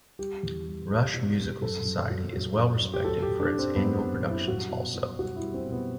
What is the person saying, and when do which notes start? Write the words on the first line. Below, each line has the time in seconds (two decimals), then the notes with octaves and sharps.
Rush Musical Society is well respected for its annual productions also.
0.19 G3 G4
0.43 E2
0.66 G3
0.90 G3
1.14 B2
1.38 G3
1.61 F#2 A4
1.85 F#2
2.10 F#3
2.33 F#3
2.57 F#2
2.80 F#2
2.93 G4
3.04 F#3 A4
3.22 G4
3.29 F#2
3.40 D4
3.52 F#3
3.59 C4
3.76 F#2 B3
3.94 B3
4.00 F#2
4.24 F#2
4.30 E4
4.48 G3 F#4
4.71 B2
4.95 B2
5.19 G3 F#4
5.36 E4
5.43 G3
5.54 C4
5.66 B2
5.72 B3